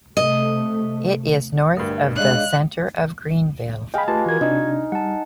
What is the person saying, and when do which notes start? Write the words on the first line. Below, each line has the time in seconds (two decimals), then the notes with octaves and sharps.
It is north of the center of Greenville.
0.17 C3 A3 D#5
1.77 D2 G2 A#4
2.16 G#3 D4 C#5 D#5 F5 F#6
3.94 G#4 D#5 F5 G5 B5
4.08 A3 F4 G4 B4 A5
4.26 E3 F#4 A#4 G#6
4.41 C3 D4 D#4
4.92 G3 F#5 A5